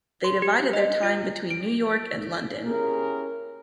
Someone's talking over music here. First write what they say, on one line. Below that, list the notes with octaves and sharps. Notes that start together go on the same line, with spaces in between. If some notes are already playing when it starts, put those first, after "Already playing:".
They divided their time between New York and London.
C6
G4
D#5
F4
D7
C#4 E4 G4 G#4 A#4